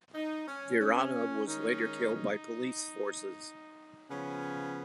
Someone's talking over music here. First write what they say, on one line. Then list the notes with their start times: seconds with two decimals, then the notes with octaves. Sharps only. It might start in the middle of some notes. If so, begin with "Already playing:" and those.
Veeranna was later killed by police forces.
0.15 D#4
0.48 C#4
0.80 C#4
1.46 D#3 G#3 C#4 D#4
2.12 D#4
4.10 C#3 F3 B3 C#4